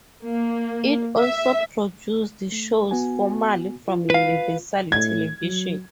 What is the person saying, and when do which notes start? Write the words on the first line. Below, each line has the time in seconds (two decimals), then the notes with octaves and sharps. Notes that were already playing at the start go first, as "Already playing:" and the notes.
It also produced shows formerly from Universal Television.
0.25 A#3
1.19 E5
2.52 A3
2.91 B3 F#4 G#5
3.88 F4
4.10 B4 F5
4.92 A2 G#6
5.41 F#3